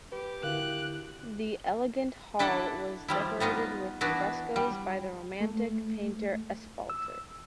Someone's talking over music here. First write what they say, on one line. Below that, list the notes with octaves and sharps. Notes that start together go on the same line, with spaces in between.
The elegant hall was decorated with frescoes by the Romantic painter Espalter.
G4 B4
D3 E4 F#4 A#4 F5 F#6
D4 E4 A4 D5 F#5
F3 G3 E4
G3 B3 D#4 F4
E3 B3 D4 E4 F#4
G3
A3
E6